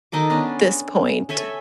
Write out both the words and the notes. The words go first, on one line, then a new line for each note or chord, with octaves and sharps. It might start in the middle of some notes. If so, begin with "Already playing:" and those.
this point
D#3 D#4 A4 D6
B3 C#4 D4
A4 C#5 E5 G#5